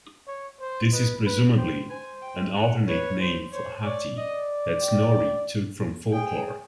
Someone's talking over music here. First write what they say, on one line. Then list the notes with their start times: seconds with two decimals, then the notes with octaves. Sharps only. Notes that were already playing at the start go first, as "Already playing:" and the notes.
This is presumably an alternate name for Hati that Snorri took from folklore.
0.28 C#5
0.60 C5
0.92 B4 D#5
1.25 B4
1.57 C5 G5
1.90 C5 G#5
2.22 G5
2.55 F#5
2.87 B4 C#5
3.20 C5
3.52 C5 C#5
3.84 C#5 D5
4.17 D5 D#5
4.82 G5
6.12 G#4 G5